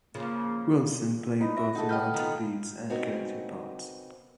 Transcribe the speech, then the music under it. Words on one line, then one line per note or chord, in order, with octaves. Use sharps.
Wilson played both romantic leads and character parts.
C#3 F3 A#3
D#4 B4
E5 A#6
G#3 D#4 A4 F#5
B4 D#5 G5 F6 G6
D#3 B3 D#4 F4
C#3 B3 C4 D#4 F#4 A#4